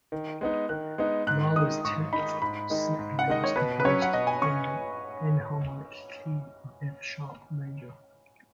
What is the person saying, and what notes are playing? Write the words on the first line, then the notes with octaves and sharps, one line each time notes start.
Mahler's Tenth Symphony was composed in the enharmonic key of F-sharp major.
D#3
G#3 B3 D#4
D#3 F#6
G#3 B3 D#4
G#2 F#6
D#3 G#3 D#4 D#6
G#2 C#6
D#3 G#3 D#4 B5
G#2 B5
D#3 G#3 D#4
G#2
F#5
D#3 G#3 D#4 D#5
C#5
B2 B4
B4
F#3 C#4 C#5
F#5
B2 D#5
G#5
C#4 C#6